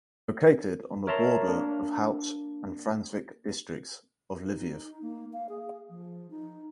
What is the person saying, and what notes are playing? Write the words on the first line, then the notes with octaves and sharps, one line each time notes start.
Located on the border of Halych and Frankivsk districts of Lviv.
A#4 C#5 E5 A5 A#5 C6
A#3 D4
D#4
A#3
F5
G#4
F3
D#4